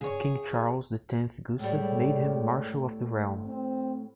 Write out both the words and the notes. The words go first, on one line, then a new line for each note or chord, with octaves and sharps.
King Charles the Tenth Gustav made him Marshal of the Realm.
C#3 G#4 C#5
A2 G3 G#3 G4 C#5
C4